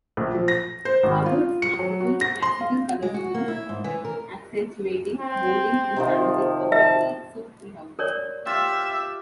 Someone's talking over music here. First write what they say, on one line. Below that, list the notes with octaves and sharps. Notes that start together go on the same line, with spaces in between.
Harboard's masterful, classical colour schemes accentuating moulding and panelling perfectly suit the house.
A#1
F3
A#6
C5
G#1
F4
C#7
F#3
F#4
A#6
C6
F5
G#3
F#4
A#3
E4
G#2
E3
A#4
C4
C3 D#3 F3
E5 A5
A#4 C#5 D5
F4 G4 E5